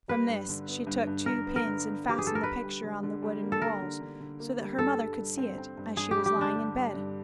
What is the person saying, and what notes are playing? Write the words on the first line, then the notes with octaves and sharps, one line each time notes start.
From this she took two pins, and fastened the picture on the wooden wall, so that her mother could see it as she was lying in bed.
G3 B4
G2
D3
B3
G2
G2
G2 A#4
B3
A#4
D3
B3
B3 G4
G#4
G3 A4
A#4
D3 B4
G3
D3
D3
G3
A#3
A4
D3 A#4
D3
D3
D3
A#3
G3
G2 A4
G2
G2
C4
C4
G2
G2 G#4
G4
G3
G4
D3 D4
G3
G2
G2